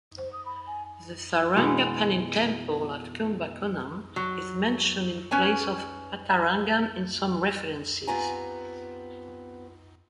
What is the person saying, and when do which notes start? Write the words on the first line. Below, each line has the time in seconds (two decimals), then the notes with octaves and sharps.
The Sarangapani temple at Kumbakonam is mentioned in place of Vatarangam in some references.
0.18 C5
0.33 D#6
0.45 B5
0.67 G#5
1.56 B2 E3 G#3 F#5
4.16 F#3
5.31 C#4 B4 C#5 G#5
8.07 B3 C4 F4 G4 G#5 A#5